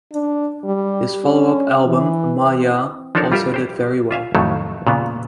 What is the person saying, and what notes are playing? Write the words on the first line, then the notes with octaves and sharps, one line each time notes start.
His follow-up album, "Ma Ya" also did very well.
D4
G3
C#4
E3
C4
F3 D4 D#4 A4 A#4 C#5
G3 F4 G4 A#4 E5
G4 C5
F4 E5 F5 G#5
F2 A2 D#3 F#3 A3 A4
A#2 C#3 B3